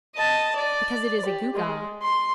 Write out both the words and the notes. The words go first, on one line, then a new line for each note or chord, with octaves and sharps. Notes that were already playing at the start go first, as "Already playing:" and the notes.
Because it is a gewgaw.
D#5 A5
D5
G4
G#3
C6